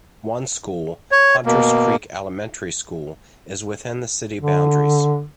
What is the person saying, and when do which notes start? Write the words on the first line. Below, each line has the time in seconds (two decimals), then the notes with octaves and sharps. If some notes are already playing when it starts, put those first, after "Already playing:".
One school, Hunters Creek Elementary School, is within the city boundaries.
1.11 C#5
1.46 B2 A#3
4.42 D3